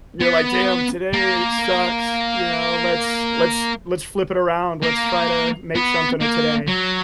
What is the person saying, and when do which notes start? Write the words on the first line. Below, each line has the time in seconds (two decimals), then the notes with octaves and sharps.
You're like, "Damn, today sucks. You know, let's let's let's flip it around. Let's try to make something of today."
0.21 B3
1.13 A#3
4.82 A#3
5.75 B3
6.21 A#3
6.67 F#3